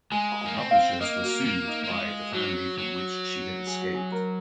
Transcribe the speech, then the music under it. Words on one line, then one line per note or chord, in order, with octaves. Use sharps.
The publishers were sued by the family from which she had escaped.
G#3 G#5
A#5
A#3 G#5
C4
F5
A#3 D#5
F#4
A#3 F4
D#4
A#3
G#3 F4
F#3 F#4
F#3
G#4
F#4
G#4
A#4